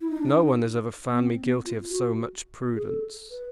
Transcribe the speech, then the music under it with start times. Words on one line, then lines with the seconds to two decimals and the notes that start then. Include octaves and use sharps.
No one has ever found me guilty of so much prudence.
0.01 E4
0.10 D#4
0.20 D4
0.29 D#4
1.10 B3
1.19 C4
1.42 B3
1.66 F4
1.90 F#4
2.76 G#4
2.84 A4
3.31 B4